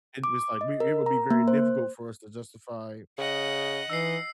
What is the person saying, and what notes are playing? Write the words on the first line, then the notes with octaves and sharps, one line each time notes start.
and it's like we it would be very difficult for us to justify
D6
D#5
A#4
A#5
A#3
C5
C#3 D#5 F#5
E3 D#4 E6 C7